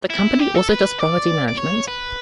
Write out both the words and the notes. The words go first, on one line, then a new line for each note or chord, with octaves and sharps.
The company also does property management.
E4
G4
A4
B4
D5
D5
C#5
B4